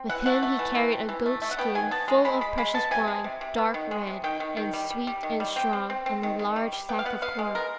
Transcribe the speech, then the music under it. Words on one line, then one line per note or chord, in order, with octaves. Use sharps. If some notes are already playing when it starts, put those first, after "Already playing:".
With him he carried a goat-skin full of precious wine, dark red, and sweet and strong, and a large sack of corn.
Already playing: C4
E3 F#5
A3 F#5
A3
E3
E3
C4
E3
A3
A3
F#5
B3 G5
D#3 G#5
B3 A5
G#3 A#5
G#3 B5
G#3 B5
G#3 B5
B3 A5
C3 G#5
G#3
C3
C3
B3
D#3
G#3
C3
D#3 G5
D#3
D#3
G3
G3
G3
D#3
G3
C4 G5
C4
C4
C4
D#3
D#3
G3
G3
B3 G5
F5
B3 F#5
B3 F5
G#3
B3 A#4